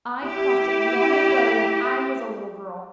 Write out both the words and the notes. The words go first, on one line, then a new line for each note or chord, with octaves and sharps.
I crossed it long ago when I was a little girl.
E4 G4